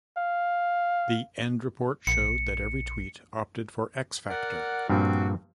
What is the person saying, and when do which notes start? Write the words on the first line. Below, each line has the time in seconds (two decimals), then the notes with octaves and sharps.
The end report showed that every Tweet opted for X-Factor.
0.17 F5
2.07 A#1 C#7
4.29 A#4 D5 F#5
4.89 G2 A#2 F3 C4 F#4